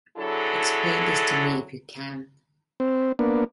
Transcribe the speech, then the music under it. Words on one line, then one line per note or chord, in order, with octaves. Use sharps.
Explain this to me! if you can.
D3 F#3 E4 G#4 A4
C4
A#3 B3 D4